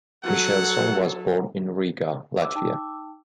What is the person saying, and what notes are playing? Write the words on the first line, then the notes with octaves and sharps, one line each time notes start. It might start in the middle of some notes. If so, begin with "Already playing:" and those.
Michelson was born in Riga, Latvia.
F#3 A4 F#5
D6 E6
D#4 G5 A5